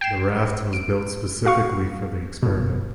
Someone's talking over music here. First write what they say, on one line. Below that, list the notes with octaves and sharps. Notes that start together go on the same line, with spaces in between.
The raft was built specifically for the experiment.
G5 C7 E7
D7
F#4 F5 C#6
G1 B2